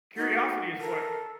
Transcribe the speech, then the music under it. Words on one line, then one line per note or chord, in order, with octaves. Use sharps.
curiosity is what
D#4 F#4
A4 A#4